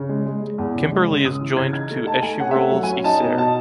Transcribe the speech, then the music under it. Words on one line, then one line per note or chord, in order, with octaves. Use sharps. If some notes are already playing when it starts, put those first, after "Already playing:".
Kimberley is joined to Échirolles, Isère.
Already playing: C#3
G#3
G#3
G#3
E2
C#3
G#3
C#3
C#3 D#6
E3
C#3 G#6
D#4 G#6
A3
D#4 A5
A3 G#5
C#4 F#5
A3 E5
F#5
F#3
G#5
C#4
D#4 A5
B2
D#4 A5